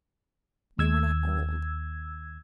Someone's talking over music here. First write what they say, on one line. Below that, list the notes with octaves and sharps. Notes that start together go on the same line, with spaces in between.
They were not old.
D#2 E6 G#6